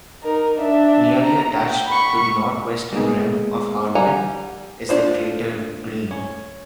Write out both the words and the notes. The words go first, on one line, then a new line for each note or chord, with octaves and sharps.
Nearly attached to the northwestern rim of Hartmann is the crater Green.
D#4 A#4
D4 E5
A#5
F#5 G5
B5 C#6
G#3 A#3 B3 D#4 G#4
G3 F#5 G#5 A#5
D4 F4 C5
C#4